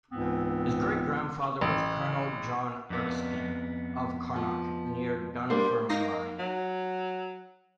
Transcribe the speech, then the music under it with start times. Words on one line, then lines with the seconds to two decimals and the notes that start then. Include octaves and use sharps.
His great-grandfather was Colonel John Erskine of Carnock, near Dunfermline.
0.11 C#2 G#2 E3 B3 C4
1.61 A1
2.90 F2 B3
4.36 F3
5.50 G3 A#3 D4 C5
5.89 A#3 D#4 A#6 C7
6.39 F#3